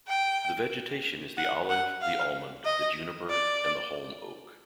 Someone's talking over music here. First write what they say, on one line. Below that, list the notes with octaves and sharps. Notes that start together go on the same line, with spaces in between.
The vegetation is the olive, the almond, the juniper and the holm oak.
G5
F#5
F#5
F5
D#5
D5